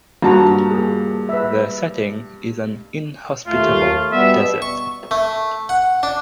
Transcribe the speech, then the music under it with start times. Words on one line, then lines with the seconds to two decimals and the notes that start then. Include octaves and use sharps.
The setting is an inhospitable desert.
0.22 G2 A#3 F#4 A5 A#5
0.70 A#3 G#4
1.29 B4 E5
3.47 D#2 A3 F4
4.12 B2 G3 B3 E5
4.62 C#6
5.11 A3
5.69 F#5
6.03 D4